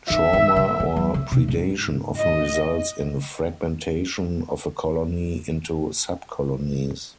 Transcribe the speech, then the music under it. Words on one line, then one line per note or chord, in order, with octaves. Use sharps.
Trauma or predation often results in fragmentation of a colony into subcolonies.
D#3 E5
D#3
C#3
E3
F#3
C#3
C3
G#2
D#5